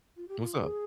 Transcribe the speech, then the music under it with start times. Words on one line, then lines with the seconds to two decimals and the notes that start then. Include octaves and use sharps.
What's up?
0.16 F4
0.28 G4
0.40 F4
0.60 G#4